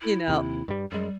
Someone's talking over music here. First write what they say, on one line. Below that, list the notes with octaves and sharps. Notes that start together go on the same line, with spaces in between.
you know
E4
D#2 C3
G2 G3
F#2 G3 G#3